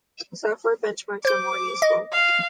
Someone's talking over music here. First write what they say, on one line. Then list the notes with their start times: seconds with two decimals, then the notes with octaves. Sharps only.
Software benchmarks are more useful.
1.25 C5 D6 G6
1.82 D#5
2.12 F5